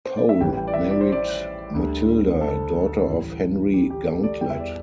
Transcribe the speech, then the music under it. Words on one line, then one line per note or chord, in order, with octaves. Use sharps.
Pole married Matilda, daughter of Henry Gauntlett.
C5
D5
E5
A1 A2 E3 G3 G5
G5
D5
E5
D5
C5
D5
D2 D3 G3
C5
A4
A1 A2 G3
G4
G4
A4
D5
E2 E3 G3 G5
E5
D5